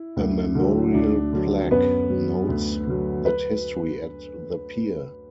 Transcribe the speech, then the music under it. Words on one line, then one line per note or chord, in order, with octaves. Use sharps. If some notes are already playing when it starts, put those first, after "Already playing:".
A memorial plaque notes that history at the pier.
Already playing: E4
D2
D3 F#3
D2 D4
D3 F#3
F#2 B3 B4
F#3
D2
D3 F#3
B4